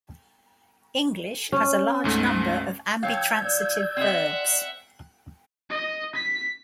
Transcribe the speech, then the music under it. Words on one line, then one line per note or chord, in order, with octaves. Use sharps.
English has a large number of ambitransitive verbs.
C#4
D2 G#2 A3
F3 C#5 F5 G5 E6 G6 G#6
D5
C4 D#5 E5 F#5
D#5
B6